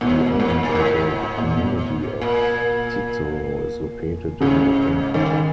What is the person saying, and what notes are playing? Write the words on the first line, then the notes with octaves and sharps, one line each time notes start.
The unincorporated community of Cicero is located in the town.
G#2 B2
A#2
G#2
A#2
G2
G#2
A#2
B2
A#2
G#2 C#3
G2 D#3